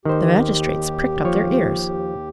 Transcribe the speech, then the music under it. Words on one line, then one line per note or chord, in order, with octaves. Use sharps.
The magistrates pricked up their ears.
D#2 D#3 G4 C5
F3 C#5